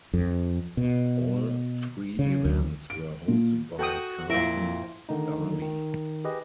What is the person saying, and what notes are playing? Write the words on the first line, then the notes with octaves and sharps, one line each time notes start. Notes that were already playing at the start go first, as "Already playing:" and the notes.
All three events were hosted by Carson Daly.
F2
B2
C#3
D2
D7
A#2
F#4 A4 G5 D#6
F2 A#2 E4 E5 A#6 D7
D3 D#3 A3 D#4
D#3
G4 G#4 B4 D#5